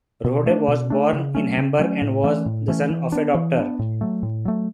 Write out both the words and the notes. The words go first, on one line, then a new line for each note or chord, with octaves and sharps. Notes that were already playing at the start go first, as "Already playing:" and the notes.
Rohde was born in Hamburg and was the son of a doctor.
B2
A3 D4
B2
A3 D4
C#3
F#3 A3 C#4
C#3
F#3 A3 C#4
A2
E3 A3 C#4
A2
E3 A3 C#4
E3
B3 D4
E3
B3 D4
A2
F#3 A3
A2
F#3 A3